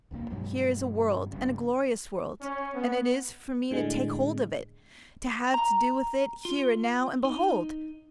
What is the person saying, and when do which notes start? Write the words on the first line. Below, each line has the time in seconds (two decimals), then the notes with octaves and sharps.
Here is a world and a glorious world, and it is for me to take hold of it, to have to do with it, here and now, and behold!
0.11 D1 C2 C#3 A#3
0.31 G2 B2 F#3 G#3
1.32 G1 G2 C#3
2.41 C#4
2.75 B3
3.71 A2 D3 G#3
5.54 A#5
6.45 F4
7.25 D#4